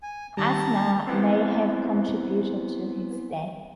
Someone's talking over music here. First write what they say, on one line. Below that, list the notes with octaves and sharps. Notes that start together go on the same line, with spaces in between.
Asthma may have contributed to his death.
G#5
D#3 G3 A5 A#5
E3 B3 C4